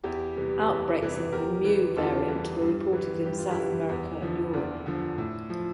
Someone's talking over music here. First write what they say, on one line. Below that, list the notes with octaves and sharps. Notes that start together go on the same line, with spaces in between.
Outbreaks of the Mu variant were reported in South America and Europe.
E2 E4 G4
C3 E3 G3
E2
C3 E3 G3
E2 G4 A#4
E3 G3
E2 F4 A4
E3 G3
G2
E3 G3
G2 G4
F4
E4 G4
E3 G3
E2
D3 F3
E2 D4 F4
D3 F3
A2
F3